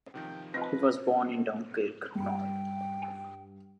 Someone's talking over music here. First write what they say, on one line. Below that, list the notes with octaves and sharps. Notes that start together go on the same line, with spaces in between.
He was born in Dunkirk, Nord.
C3 D#3 F3 G5
C4 F4 B4 D#5 A#6
G2 G5